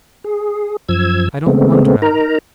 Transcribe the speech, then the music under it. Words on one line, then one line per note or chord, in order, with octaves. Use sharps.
I don't wonder at it.
G#4
F#2 F3 E6 G#6
C#3 G#3 A3 B3 C4
D#4 A#4 A#5